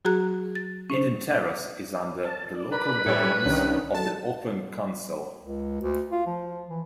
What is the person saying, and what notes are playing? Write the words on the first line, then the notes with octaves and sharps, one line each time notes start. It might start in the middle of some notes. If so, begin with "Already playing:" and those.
Eden Terrace is under the local governance of the Auckland Council.
F#3 F#4 G#4 A#5 F#6
A6
C#4 C5
A5
D5
A#4 B4 D5 B5
A2 G3 E5 G#5 C#6
C2 D#3 C#4 D4
F#3 A4 A5
C#2
D2
F4
F3
E3